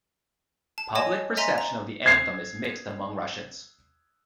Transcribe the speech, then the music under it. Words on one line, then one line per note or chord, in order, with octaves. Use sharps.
Public perception of the anthem is mixed among Russians.
A5
C#5 D#5 G#5 A5
D#5 E5 G#5 A#5 C6
A#5
G#6 C7